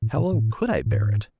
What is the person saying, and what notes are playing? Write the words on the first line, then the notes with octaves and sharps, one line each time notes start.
How long could I bear it?
A2
A#2
A2
A2
G#2